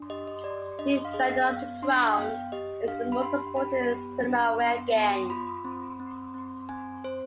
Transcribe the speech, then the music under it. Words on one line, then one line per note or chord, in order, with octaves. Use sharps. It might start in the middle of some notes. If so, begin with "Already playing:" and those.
"Defender of the Crown" is the most ported Cinemaware game.
Already playing: D4
G4 D#5
D#5
G4 D5
D4 D#5
F5
G#4 D#5
B3 F5
D4 C6
G5
B3 F5
G4 D#5
D4 F5
B5
G4 C6
G4 B5
B3
D4
B3
B3
F4 B5
C4
C4
C4
C4 G#5
C4 C5